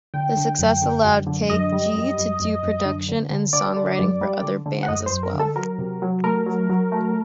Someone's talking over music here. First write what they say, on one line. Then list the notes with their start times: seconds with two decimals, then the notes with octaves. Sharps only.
The success allowed K-Gee to do production and songwriting for other bands as well.
0.14 D3 G5
0.37 D3
0.58 F#2
0.82 D3
1.04 F#2
1.27 D3
1.50 F#2 D#5
1.72 G3
1.95 F#2
2.18 F#2
2.40 F#2
2.63 F#2
2.85 D3
3.08 D3
3.30 D3
3.53 D3 D5
3.76 D3
3.99 F#2
4.21 G3
4.43 D3
4.66 D3
4.83 F#5
4.88 F#2 D#5
5.06 F#2 C5
5.23 A#4
5.34 D3
5.39 A4
5.56 F#3 A#4
5.79 C3
6.02 F#3
6.24 A3 A#4
6.46 F#3
6.70 F#3
6.92 A3